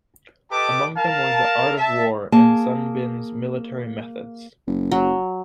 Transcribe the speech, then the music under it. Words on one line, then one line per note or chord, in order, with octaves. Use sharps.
Among them were "The Art of War" and Sun Bin's "Military Methods".
G4 A4 B4 D#5 A5 D6
A#4 F5 A5
E5 A5
A#3 G#4 A5
F#1
F#3